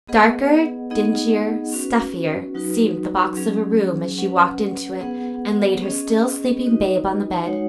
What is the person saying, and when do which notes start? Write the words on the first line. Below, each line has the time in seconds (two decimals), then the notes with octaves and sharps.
Darker, dingier, stuffier, seemed the box of a room, as she walked into it and laid her still sleeping babe on the bed.
0.08 B3 G#4 B4 D#5 F#5
0.90 B3 D#4 G#4 D#5 F#5
1.73 C#4 F#4 B4
2.55 F#3 D#4 F#4 B4
3.37 F#3 C#4 G#4
4.18 C#4 B4 F#5
5.01 B3 G#4 B4 F#5
5.82 C#4 G#4 D#5
6.65 D#4 F#4 B4 D#5
7.45 G#3 D#4 F#4 C#5 F#5